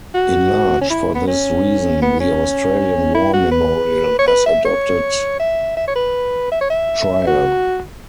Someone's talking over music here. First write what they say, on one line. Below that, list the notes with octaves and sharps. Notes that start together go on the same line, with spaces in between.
In large, for this reason, the Australian War Memorial has adopted "Trail".
F#4
C#4
E4
B3
C#4
B3
C#4
E4
F#4
B4
C#5
B4
E5
C#5
E5
E5
C#5
B4
E5
C#5
E5
F#4